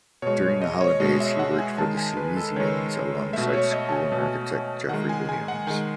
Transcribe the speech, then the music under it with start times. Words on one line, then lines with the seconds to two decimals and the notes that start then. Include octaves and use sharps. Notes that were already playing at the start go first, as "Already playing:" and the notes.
During the holidays he worked for the Salesians alongside school architect Jeffrey Williams.
0.22 B2 G#3 C#5
0.42 C#5
0.62 D#5
0.81 C#5
1.00 B2 G#3 D#5
1.20 E5
1.39 F#5
1.59 G#5
1.78 D#3 G#3 A5
1.97 G#5
2.17 B4
2.37 A4
2.56 D#3 G#3 C#5
3.33 B2 A3 E5
3.53 C#5
3.73 D#5
3.89 A5
3.92 G#5
4.12 B2 A3
4.89 D#3 G#3 F#5
5.09 G#5
5.29 G#5
5.48 F#5
5.67 D#3 G#3 G#5